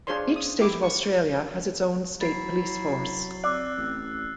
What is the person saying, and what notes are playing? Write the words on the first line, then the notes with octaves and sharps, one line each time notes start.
Each state of Australia has its own state police force.
D4 F4 G#4 C5 C#5 C6
D#6
E4 G4 D6
C#6
F#3 E4 A6 C7
C4 D5 E6 F#6
A1